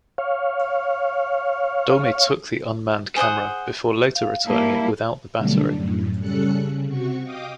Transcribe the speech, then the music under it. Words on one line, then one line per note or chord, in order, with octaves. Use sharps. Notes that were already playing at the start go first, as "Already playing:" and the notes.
Domi took the unmanned camera before later returning it without the battery.
C#5 F5
G#4 C5 F#5 D#6
F5
G3 A#3 E4 F5 A5
B2 D3 F#3 G3 A3 D4
F#2 A2
C#3 G3 C#4 A4 F#6 C#7
C#3
C3 F#4 C#6
D#5 F5 G5 D6 D#6